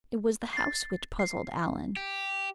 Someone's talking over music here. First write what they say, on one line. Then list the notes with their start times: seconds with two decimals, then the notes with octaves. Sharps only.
It was the house which puzzled Alan.
0.53 A6 C7
1.19 C7
1.96 G4